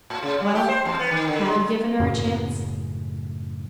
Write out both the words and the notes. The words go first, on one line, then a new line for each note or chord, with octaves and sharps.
Well, had he given her a chance?
A2
C#3
G3
G4
C5
E2
B3
D#3
D3
G#3
F#2 A2 C#3